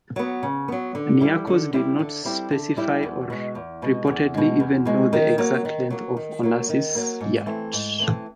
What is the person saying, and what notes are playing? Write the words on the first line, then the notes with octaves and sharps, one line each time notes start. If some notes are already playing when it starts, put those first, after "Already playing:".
Niarchos did not specify or reportedly even know the exact length of Onassis's yacht.
F#3 B3
C#3
F#3 B3
D3
G3 C4 E4 G4
D3
G3 C4 E4 G4
D3
G3 C4 E4 G4
D3
G3 C4 E4 G4
E2
B2 G#3
E2
B2 G#3
E2
B2 G#3
E2
B2 G#3
D#3
F#3 A#3
D#3
F#3 A#3
D#3
F#3 A#3
D#3
F#3 A#3
G#2
E3 A3 C4
G#2
E3 A3 C4